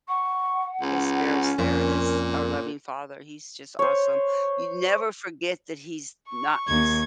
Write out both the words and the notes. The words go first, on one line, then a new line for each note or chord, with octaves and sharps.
his spirits there He's our loving Father, he's just awesome. You never forget that He's not He's
F#5 C#6
C#2 C#4
F2 A#2 A#4
C5 C#5
C#6
D#2 G#6